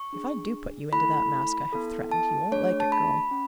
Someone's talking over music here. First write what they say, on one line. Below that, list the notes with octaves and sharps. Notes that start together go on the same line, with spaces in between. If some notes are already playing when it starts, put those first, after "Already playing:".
If I do put you into that mask I have threatened, you won't like it, girl.
Already playing: C#6
D4 G#4
A3 E4 A4 B5
B3 E4 A4
A5
A3 D4 G#4 C#5
A5
B5
C#4